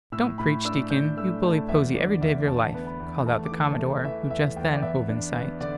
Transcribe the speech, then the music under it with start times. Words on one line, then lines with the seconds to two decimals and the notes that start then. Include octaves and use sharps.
"Don't preach, Deacon, you bully Posy every day of your life," called out the Commodore, who just then hove in sight.
0.12 A2 E6
0.38 A2 B5
0.65 D4 E6
0.90 D4 G6
1.17 A3 E6
1.43 A3 A5
1.69 E2 E5
1.95 D3 D5
2.21 E2 E5
2.47 E2 A5
2.74 B3
2.87 B5
3.00 E2
3.25 A3 A5
3.45 D6
3.52 E3
3.64 A5
3.78 A3
4.04 E3 E5
4.30 E2 E5
4.56 E2 G5
4.73 D5
4.82 B3 E5
5.09 D4
5.34 B3
5.61 D3 D5